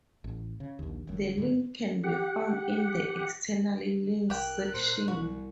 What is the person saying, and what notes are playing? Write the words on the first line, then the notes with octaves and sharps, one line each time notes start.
The link can be found in the external links section.
A1
C#3
A#1 D#2
G1 F#2
G2 D3 F#3
G4 F#5
C2 G4 A#4 G5 F#6
A#2 C5
C2 B2 F#4